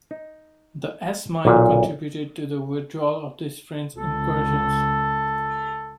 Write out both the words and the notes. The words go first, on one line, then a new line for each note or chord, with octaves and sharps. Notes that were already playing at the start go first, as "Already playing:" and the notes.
The S-mine contributed to the withdrawal of these French incursions.
D#4
B1 A#2
C#2 A4